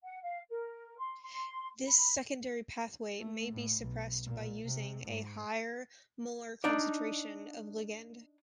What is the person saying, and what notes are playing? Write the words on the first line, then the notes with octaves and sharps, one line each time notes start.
This secondary pathway may be suppressed by using a higher molar concentration of ligand.
F#5
F5
A#4
C6
C6
B5
A3
A2
B1
A#2
C3
G#2
D4 D#4 D5